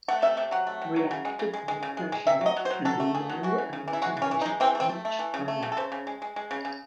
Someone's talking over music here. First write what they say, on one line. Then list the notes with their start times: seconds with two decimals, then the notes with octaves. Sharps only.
Reactor core pressure can be low and the temperature much higher.
0.08 A3 F#5
0.22 C3 E5
0.37 C3 E5
0.51 F#3 F#5
0.67 A3
0.82 C3
0.96 F#3
1.11 C#3
1.25 G#3
1.39 C#3
1.53 G#3
1.68 G#3
1.83 C#3
1.97 G#3
2.12 G#3
2.27 C3 E5
2.41 F#3 D#5
2.56 F#3
2.65 C5
2.70 F#3
2.85 F#3 A4
3.00 A3
3.15 A3 G#4
3.29 F#3
3.43 E3 F#4
3.58 C#3
3.73 C#3
3.88 E3
3.93 E4
4.02 G#3 F#4
4.17 C#3
4.22 C#4
4.31 E3
4.41 D#4
4.46 G#3
4.60 E3 C4
4.75 A3
4.80 C4
4.89 A3
5.05 A3
5.19 E3
5.34 C#3
5.48 A3
5.63 C#3
5.72 A4
5.77 C#3 C5
5.92 C#3
6.07 G#3
6.22 G#3
6.36 G#3
6.51 C#3
6.65 C#3